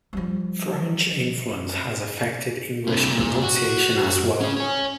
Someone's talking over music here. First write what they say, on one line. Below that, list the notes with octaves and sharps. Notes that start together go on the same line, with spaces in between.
French influence has affected English pronunciation as well.
F3 G3
G2 C3
A#2
F#4
C#4 G#4
C#5 G#5